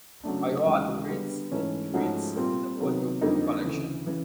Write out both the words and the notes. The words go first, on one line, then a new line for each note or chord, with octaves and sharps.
Ayoade reads "The Twits" in the audiobook collection.
C#3 F#3 A3 D4
D#2 C#3 E3 G#3
D3 G3 B3
G#2 E3 A3 C#4
G#2 F3 A3 C#4 F#4
A#2 G3 C4 F4
C3 D#3 F#3 B3
F2 D3 G3 A#3 D#4
D2 C#3 E3
C#3 E3